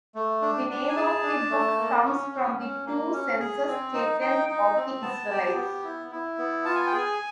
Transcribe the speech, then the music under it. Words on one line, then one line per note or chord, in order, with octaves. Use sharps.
The name of the book comes from the two censuses taken of the Israelites.
A3
D4
D4
G#5
G#4 A5
D4
A3
A#3
C#4
C#4
C#4
A#3
C#4
G#4
C4
D#4
D#4 G5
D#4
C4
B3 A5
G4
B3
E4
E4
B3
F4 A5
G#5
G5
G#4
G#5